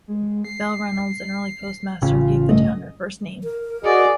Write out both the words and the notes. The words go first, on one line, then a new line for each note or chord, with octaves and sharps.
Belle Reynolds, an early postmaster, gave the town her first name.
G#3
C7
A1 C#3 F4
G2 A3 D#5
A#4
F#4 G#4 D5 D#5